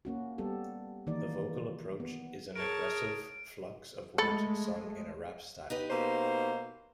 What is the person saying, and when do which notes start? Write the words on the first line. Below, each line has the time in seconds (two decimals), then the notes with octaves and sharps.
The vocal approach is an aggressive flux of words sung in a rap style.
0.05 A#3 C#4 F#4
0.38 G3 B3 G4 A4
1.07 D#3 E3 A#3 D#4 D5
2.00 B3
2.56 G#4 A#4 C#5 A5 D7
4.18 G#3 A3 A4 B5 A6 C#7
5.70 D#4 G4 B4
5.90 B2 A#3 C5